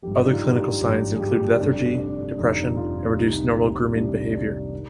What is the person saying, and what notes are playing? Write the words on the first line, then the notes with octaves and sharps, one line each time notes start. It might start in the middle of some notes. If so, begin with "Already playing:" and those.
Other clinical signs include lethargy, depression, and reduced normal grooming behaviour.
G#1 G2 F3 G4
D4
D#4
F4
G4
G#1 G2 F3 G4
G#4
G4
F1 F2 D3 G3 D4
D4
F1 F2 D3 G3 D#4
F4
C2 C3 D#3 D#4
C2 C3 D#3 D4
D4
D#3